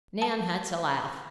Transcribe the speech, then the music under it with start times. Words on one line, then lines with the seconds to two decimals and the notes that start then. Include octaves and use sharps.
Nan had to laugh.
0.22 A5